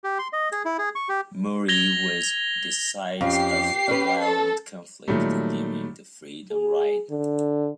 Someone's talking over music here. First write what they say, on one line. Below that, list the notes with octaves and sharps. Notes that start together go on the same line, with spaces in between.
Moree was the site of a violent conflict during the Freedom Ride.
G4
C6
D#5
G#4
E4
G#4
C#6
G4
G#6 A#6 F7 G7
F2 C#4 G4 C7
C#4 B4
A4
A#2 D#3 F#3 G3 A3
G#4
D3